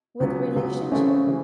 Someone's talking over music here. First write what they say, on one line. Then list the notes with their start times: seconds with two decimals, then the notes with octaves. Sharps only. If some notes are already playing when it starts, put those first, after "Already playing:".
With relationship
0.20 C#2 C#3 F#3 B3
0.56 C#2 C#3 F#3 B3
0.91 C#3 E3 A3 C4 C#4
1.27 C#3 E3